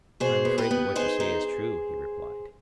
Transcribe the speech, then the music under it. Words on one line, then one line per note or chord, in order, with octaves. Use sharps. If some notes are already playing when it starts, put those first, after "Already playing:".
I am afraid that what you say is true, he replied.
B2 G#4 C5
B3
G4 B4
B3
D#4 G#4 C5
D#4